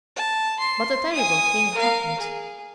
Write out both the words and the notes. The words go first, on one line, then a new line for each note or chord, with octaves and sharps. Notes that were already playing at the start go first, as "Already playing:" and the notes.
But a terrible thing happened!
A5
C6
G#5 D#6
A#4 F5
G#4